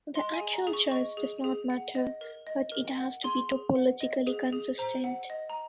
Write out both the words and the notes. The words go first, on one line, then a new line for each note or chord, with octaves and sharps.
The actual choice does not matter, but it has to be topologically consistent.
D#5 C6
G#5
G#4
A#5
G#4
C#6
D#5 C#6
G#4
G#4
F#5
D#5
A#4
D#5
A#4
F#5
G#4 C6
G#4
F#5
D#5
G#4
G#4
C5 A#5
F#5
D#5
A#5